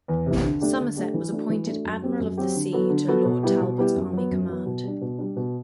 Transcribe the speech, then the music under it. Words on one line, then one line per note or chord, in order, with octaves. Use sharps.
Somerset was appointed Admiral of the Sea to Lord Talbot's army command.
E2
C3 E3
D3
A3 D4 G4
D3
A3 D4 G4
E3
A3 D4 F#4
E3
A3 D4 F#4
F#2
F#3 C4 G4
F#2
F#3 C4 G4
D3
F#3 B3 F#4 A4
D3
F#3 B3 F#4 A4
B2
G3 B3 E4 G4
B2
G3 B3 E4 G4
F#2
F#3 B3
F#2
F#3 B3
B2
G3 D4
B2
G3 D4
B2